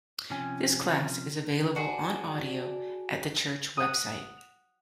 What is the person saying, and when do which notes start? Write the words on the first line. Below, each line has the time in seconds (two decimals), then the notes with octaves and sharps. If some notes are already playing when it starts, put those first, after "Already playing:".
This class is available on audio at the church website.
0.30 C3 F3 C#4 G#5
1.75 D4 F#4 G#4
3.77 F#5 D#6